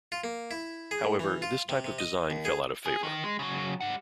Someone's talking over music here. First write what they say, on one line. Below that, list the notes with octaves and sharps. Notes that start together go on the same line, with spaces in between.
However, this type of design fell out of favour.
F4
A#3
E4
G#4
A2
E3
F4
C3
C3
D#5
D#2
G#4
G#4
D#3
G#3
C#3 F#3
G3 F#5